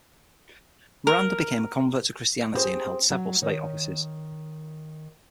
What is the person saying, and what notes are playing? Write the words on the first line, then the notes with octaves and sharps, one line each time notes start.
Miranda became a convert to Christianity and held several state offices.
A#4
C4 E4 G4 G#4 C5
F#3
D#3 C#5